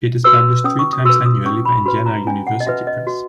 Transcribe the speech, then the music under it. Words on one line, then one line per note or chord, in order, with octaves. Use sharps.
It is published three times annually by Indiana University Press.
F#4 B4 E6
C#4 D#6
C#6
D#6
F#4 B4 E6
D#6
C#4 C#6
B5
F#4 B4 B5
A#5
C#4 G#5
F#5
D#5
F#4 B4 E5
D#5
F#4